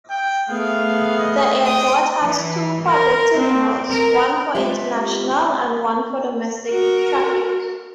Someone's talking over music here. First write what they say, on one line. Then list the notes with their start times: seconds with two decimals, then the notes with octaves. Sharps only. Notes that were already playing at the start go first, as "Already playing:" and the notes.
The airport has two public terminals-one for international and one for domestic traffic.
0.10 G5
0.48 A3 B3 G#4 F5
1.19 D#5
1.65 G5 D#6
2.23 E3
2.86 A#4
3.40 C4
3.91 A#4
4.55 G#3 B3 C4 F4 G4 E5
6.67 F#4 A#4